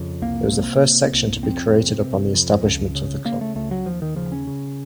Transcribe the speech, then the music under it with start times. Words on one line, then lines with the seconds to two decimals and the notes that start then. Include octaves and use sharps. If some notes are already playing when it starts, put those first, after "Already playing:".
It was the first section to be created upon establishment of the club.
Already playing: F2 C#3
0.22 C2 A#3
0.52 C3
0.83 C3
1.13 C2
1.43 F2 C4
1.73 C3
2.04 C3
2.35 F2
2.64 C#2
2.95 C#3
3.25 C#3 A#3
3.41 A3
3.55 C#2 A3
3.71 F#3
3.86 D#2 F3
4.02 D#3
4.16 C#3 F3
4.32 C#4
4.47 C#3